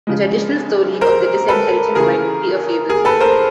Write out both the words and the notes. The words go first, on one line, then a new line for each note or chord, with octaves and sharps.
The traditional story of the disinheritance might be a fable.
C#3 F3 G#3
A#4 C5
A4 B4
C#3 E3 A3 G#4 A#4
G#4 A#4
A4 B4
A#4 C5